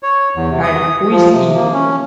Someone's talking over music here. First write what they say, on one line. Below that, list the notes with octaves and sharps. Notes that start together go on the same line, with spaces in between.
And who is he?
C#5
E2
C3
D#6
F3
C3
A#3
C#4